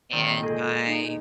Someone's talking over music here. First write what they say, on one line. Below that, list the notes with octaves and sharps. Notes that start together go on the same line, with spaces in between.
And I
A#2 D#3 G#3 C4 D5
G#4 A4 D#5
D#4